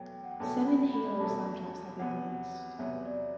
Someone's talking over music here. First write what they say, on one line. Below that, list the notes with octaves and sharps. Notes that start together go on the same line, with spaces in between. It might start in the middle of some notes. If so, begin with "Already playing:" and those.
Seven "Halo" soundtracks have been released.
Already playing: E2 B2 F#3 A3 G5
F#5
G5
E2 B2 F#3 A3 A5
B5
B5
B5
E2 B2 F#3 A3 A5
E2 C3 F#3 B3 F#5
E2 C3 F#3 B3 E5
D5